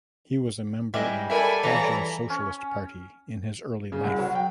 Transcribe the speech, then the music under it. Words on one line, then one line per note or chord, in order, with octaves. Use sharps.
He was member of Praja Socialist Party in his early life.
G3 G#3 E4 D#5 E5
E4 A4 A#4 D5 E5 G#5
E3 E4 C#5 D#5 F5 A#5
C#4
C#3
C2
F#3
G5